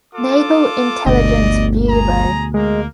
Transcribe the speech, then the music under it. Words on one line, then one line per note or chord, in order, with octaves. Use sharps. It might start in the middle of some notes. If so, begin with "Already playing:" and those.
Naval Intelligence Bureau.
F4 A4 D6
G1 D2 B2 A3 D5 D#5
G#4 A#5
G#3 A#3 A#4